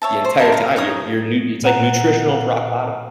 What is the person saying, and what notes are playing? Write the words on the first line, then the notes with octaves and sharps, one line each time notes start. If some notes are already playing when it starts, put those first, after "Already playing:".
the entire time. You're you're new it's like nutritional for rock bottom.
C#5 E5 A5
C5
G4 A#4 A5 B5
F5 A#5
D#4 C#5 D#6
A#2 B4 F#5 A#5